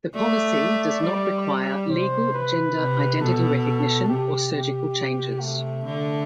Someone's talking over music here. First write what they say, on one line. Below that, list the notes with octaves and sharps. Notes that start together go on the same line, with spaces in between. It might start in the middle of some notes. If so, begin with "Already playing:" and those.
The policy does not require legal gender identity recognition or surgical changes.
A3 D5
G3 D5
D5
C3 C5
B4
C3
B2 A4
C3 G4
C3 G4
C3
A3
D3